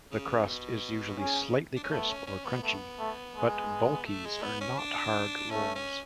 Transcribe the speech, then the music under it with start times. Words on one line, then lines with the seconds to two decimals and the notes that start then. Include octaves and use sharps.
The crust is usually "slightly" crisp or crunchy, but bulkies are not hard rolls.
0.12 C#3
0.47 B2
1.19 C#3 C#4
1.76 D4
1.83 C#4
1.91 A3 B3
2.09 C#4
2.27 C#4
2.44 B3
2.63 A3 B3
2.99 A3
3.35 G#3
4.06 A3
4.25 G#3
4.43 B3
4.61 C#4
4.79 D4
5.51 A3 C#4
5.75 C#4